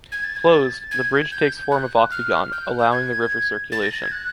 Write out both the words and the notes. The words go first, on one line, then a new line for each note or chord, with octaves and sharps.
Closed, the bridge takes form of octagon, allowing the river circulation.
G#6
A6
G#6
A6
G#6
G6
F#6
F6
G6
F#6
G6
G#6
A6
A#6
A6
G#6
F#6